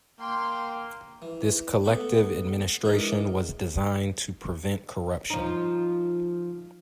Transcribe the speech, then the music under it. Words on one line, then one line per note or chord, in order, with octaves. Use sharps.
This collective administration was designed to prevent corruption.
A#3 G5 C6
E3
A3 B3 F#4 B5 D6
E3 G#3 D4 G#4 A#4 D#5
F3 D#4